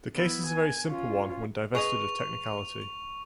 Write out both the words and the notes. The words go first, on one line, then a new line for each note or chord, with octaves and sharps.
The case is a very simple one, when divested of technicality.
B3 E4
G#5
C#4 F4
G#4 B4 D#5 C#6 F7